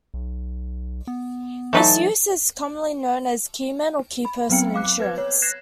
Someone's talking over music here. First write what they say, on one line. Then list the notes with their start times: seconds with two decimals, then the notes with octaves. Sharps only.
This use is commonly known as "key man" or "key person" insurance.
0.14 B1
1.07 B3
1.73 E3 F#3 A3 D#4 B4 A5
4.25 B5
4.49 F#3 B3 C4 G5 C#7
4.74 F5 D6 F#6
5.00 B4 G#6
5.18 C#5
5.42 F#6 G#6 A#6 C7 E7